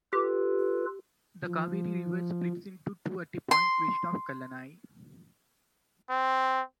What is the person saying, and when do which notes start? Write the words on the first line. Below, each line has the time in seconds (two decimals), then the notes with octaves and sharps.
The Kaveri river splits into two at a point west of Kallanai.
0.13 F4 G4 A4 B4
1.47 F3
3.51 C6
6.10 C4